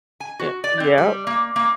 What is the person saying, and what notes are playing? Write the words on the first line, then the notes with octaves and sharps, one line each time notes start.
Yeah yep.
G#5
F#4
D5
C4
G3
A#3
A#3